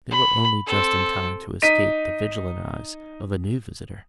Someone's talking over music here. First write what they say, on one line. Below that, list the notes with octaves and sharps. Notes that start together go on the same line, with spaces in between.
But they were only just in time to escape the vigilant eyes of a new visitor.
B5
C4 A4
D#4 B6 D#7